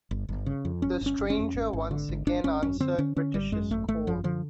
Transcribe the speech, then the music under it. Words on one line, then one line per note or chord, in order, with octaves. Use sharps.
The Stranger once again answered British's call.
G1
G1
C#3
F2
G1 C#4
G1 C#4
G1
C#4
F2
G#1
G#1
D3
G#1
G#1 D4
G#1 C#4
F#2 C#4
D3 C4
D3 C#4
D3 C#4
G#1 G3
F#2 G#3
G#1 A3
G#1 A3
F#2 F3
D3 F3